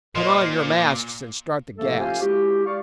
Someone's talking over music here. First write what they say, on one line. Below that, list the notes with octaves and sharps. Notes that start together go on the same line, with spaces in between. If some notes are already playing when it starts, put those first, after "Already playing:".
Put on your masks and start the gas!
A#2 C5 D#5 C6
C7
A2 C3 F3 A3 A#3 A4
C#4 F4 G4 C5 F5 G#5
G#3 E4 F#4 G4
D5 F5 C#6